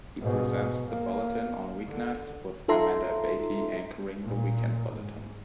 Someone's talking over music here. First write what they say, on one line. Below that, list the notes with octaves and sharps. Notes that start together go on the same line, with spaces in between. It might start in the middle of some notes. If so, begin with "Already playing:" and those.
He presents the bulletin on weeknights, with Amanda Abate anchoring the weekend bulletin.
G#2 B2
A#3
D3
D#4 F4 A4 E5 A#5 C6
A#2
G#2